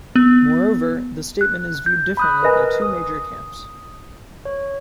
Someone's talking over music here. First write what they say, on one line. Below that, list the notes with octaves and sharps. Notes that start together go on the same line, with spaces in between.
Moreover, the statement is viewed differently by two major camps.
B3
F#6
G6
B5 D#6 F#6
A#4 B4 D#5 G#5
D#6
C#5